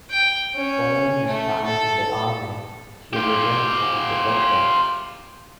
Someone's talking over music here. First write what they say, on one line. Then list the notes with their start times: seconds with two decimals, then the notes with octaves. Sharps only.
Following his time in the Army, he returned home to Detroit.
0.10 G5
0.55 C#4
1.27 A3
1.66 A4
3.13 F4 G4